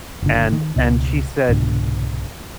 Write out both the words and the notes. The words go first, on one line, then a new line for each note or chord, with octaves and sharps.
And and she said
F#1 D3
D#3
C#2 B2
C2 G#2 B2 D3